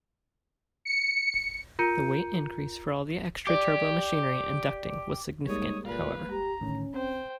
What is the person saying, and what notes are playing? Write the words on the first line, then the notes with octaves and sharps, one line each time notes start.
The weight increase for all the extra turbomachinery and ducting was significant, however.
C#7
F4 A#4 A#5 G6 C#7 D#7
G4 D5 D6
G3 G#3 A#3 D#4 C#5 D#6
A#2 B4 F5
G4 A#5
A2 D3 D#3 C#4
C4 C5 G5